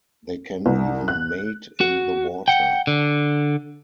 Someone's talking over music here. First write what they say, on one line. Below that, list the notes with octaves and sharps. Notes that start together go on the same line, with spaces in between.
They can even mate in the water.
C2
F#6
F#4
F#5 G5
D3